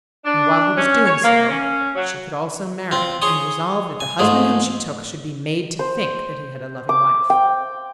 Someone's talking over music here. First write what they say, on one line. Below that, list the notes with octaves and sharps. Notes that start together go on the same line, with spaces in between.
And while he was doing so, she could also marry, and resolve that the husband whom she took should be made to think that he had a loving wife.
D4
C#4
C#5
A#3
C#4
F#3
C4 F4
G#4 C#5 C6 D#6
G#5
G#2 F3 A3 G#4
C5
D6
G5